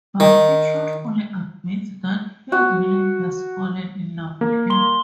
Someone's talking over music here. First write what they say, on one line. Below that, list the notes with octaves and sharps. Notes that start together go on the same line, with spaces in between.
But he truthfully admits that he really has fallen in love with her.
D#3
F#4
A#3
C6 G7